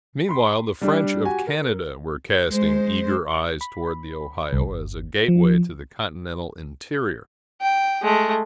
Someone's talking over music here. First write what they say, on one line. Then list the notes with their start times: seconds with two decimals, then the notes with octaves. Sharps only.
Meanwhile, the French of Canada were casting eager eyes toward the Ohio, as a gateway to the continental interior.
0.29 B5 C6
0.81 G3 D4 G4
1.25 F#4 G4 G#5
1.47 A#4
2.49 G#3 C5
3.61 B5
4.53 C2
4.67 G1
5.28 F3
7.61 G5
8.03 G#3 A3